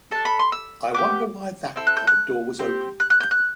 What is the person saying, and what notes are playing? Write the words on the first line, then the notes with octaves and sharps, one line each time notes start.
I wonder why that cupboard door was open?
D4 A4 A5
B5
C6
E6
B3 D4 G4 D6
C4 E4 A4 E6
F#6
G6
F#6
C4 G4
F#6
F#6
G6
F#6